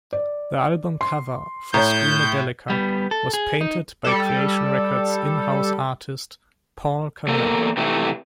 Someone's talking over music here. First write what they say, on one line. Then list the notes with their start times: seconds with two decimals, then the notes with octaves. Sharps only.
The album cover for "Screamadelica" was painted by Creation Records' in-house artist Paul Cannell.
0.13 D5
1.01 C6
1.74 A2 C#5 A#5 G6
2.70 G3 B3
3.11 A4
3.34 G#4
3.61 D#4
4.04 G3 A4
7.28 E2 A#3 A4 A#4
7.77 C3 E3 A3